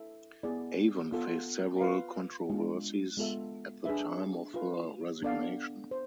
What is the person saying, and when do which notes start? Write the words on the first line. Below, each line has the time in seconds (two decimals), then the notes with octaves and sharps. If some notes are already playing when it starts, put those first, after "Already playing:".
Avon faced several controversies at the time of her resignation.
Already playing: E4 A4 E5
0.43 B3 E4 G#4 D5
1.12 B3 F4 A4
1.81 F4 B4 F5
2.50 G#3 B3 D4 F4
3.17 G#3 B3 F4 A4 E5
3.85 D4 G#4 B4 E5
4.54 F4 B4 F5
5.23 B3 D4 A4 D5 F5
5.91 C5